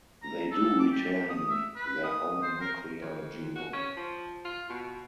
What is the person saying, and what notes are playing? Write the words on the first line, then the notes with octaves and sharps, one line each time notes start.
They do retain their own nuclear genome.
A#5
A4
D6
G4
D#6
E5
B4
D#6
C5
A#4
F2
F#4
C#4
F3
F4
B2